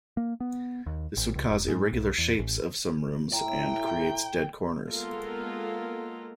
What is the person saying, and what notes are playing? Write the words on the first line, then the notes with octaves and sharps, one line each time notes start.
This would cause irregular shapes of some rooms and creates dead corners.
A#3
B3
D#2
A1
C#2
F1
G#2
B1
E2
A1
A2 E4 G5 A#5
G#3 A#3 B3 F4 A4 A#4